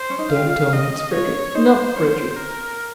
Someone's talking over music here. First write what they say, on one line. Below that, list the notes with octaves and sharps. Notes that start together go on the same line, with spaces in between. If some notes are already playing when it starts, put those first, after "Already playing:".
Don't tell me it is Frederick--not Frederick.
Already playing: C5
C#4
D#4
G4 F5
F4
G4 D#5
F4 C#5
D#4 C5
C#4
A#4